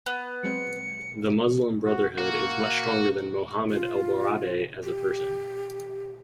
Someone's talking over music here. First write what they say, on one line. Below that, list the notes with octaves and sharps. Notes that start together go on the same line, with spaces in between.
The Muslim Brotherhood is much stronger than Mohamed ElBaradei as a person.
B3
F#3 G#3 C4 C#7
F#4
A#3 F#4
F4
G4